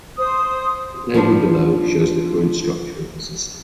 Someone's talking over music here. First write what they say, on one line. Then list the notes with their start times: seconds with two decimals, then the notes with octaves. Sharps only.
The table below shows the current structure of the system.
0.17 C5 D#6
1.14 F3 B3 D4 C5